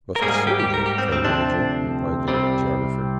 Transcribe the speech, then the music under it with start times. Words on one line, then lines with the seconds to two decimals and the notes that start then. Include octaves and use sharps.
"Most assuredly, friend Major," replied the geographer.
0.16 A#4
0.21 G#2 G3 A#3 G#4
0.34 G#4
0.47 G4
0.60 G4
0.74 A#4
0.86 G4
0.98 C4
1.12 C4
1.24 D2 C3 F3 C4 D4
2.28 C2 C3 G3 C4